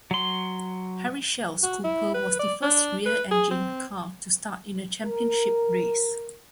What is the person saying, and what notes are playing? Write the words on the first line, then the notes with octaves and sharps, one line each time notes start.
Harry Schell's Cooper was the first rear-engined car to start in a championship race.
F#3 C6
F#4
E4
B4
D5
D4
B4
G#4
C4
A#4